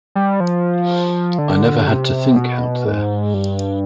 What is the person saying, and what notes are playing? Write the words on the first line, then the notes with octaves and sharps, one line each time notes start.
I never had to think out there.
G3
F3
D3
C3
B2
G#2
G2